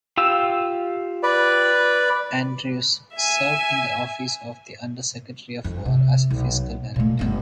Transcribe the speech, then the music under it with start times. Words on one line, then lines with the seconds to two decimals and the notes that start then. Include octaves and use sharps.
Andrews served in the office of the Under-Secretary of War as a fiscal director.
0.17 F4 G4 E6
1.23 B4 D5
3.16 E5 G#5
5.64 F2
5.86 C3
6.30 B1
6.96 A#2 A3
7.19 G1 B3